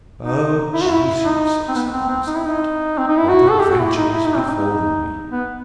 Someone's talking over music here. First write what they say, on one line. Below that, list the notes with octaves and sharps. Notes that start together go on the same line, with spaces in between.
O Jesu, said Sir Launcelot, what adventure is befallen me!
D#4
E4
F#4
E4
D#4
C4
B3
C4
C4
D#4
E4
D#4
C4
D#4
E4
F#4
A4
G4
F#4
E4
D#4
E4
D#4
C4
D#4
B3